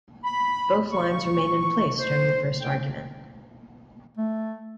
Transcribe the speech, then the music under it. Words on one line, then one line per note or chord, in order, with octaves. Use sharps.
Both lines remain in place during the first argument.
B5
C#6
C5
G5
A3